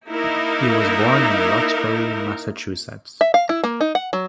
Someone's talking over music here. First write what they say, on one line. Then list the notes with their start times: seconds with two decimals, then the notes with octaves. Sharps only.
He was born in Roxbury, Massachusetts.
0.11 A#3 D#4 E4 A#4
3.21 E5
3.34 F5
3.49 E4
3.64 A#3
3.81 D#4
3.95 F#5
4.13 F#3